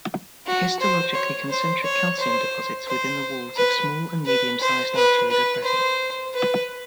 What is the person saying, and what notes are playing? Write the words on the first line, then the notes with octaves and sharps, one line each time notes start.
Histologically concentric calcium deposits within the walls of small and medium-sized arteries are present.
F#4
C5
C#5
C5
C#5
C5
C5
B4
B4
C5
B4
B4
C5
B4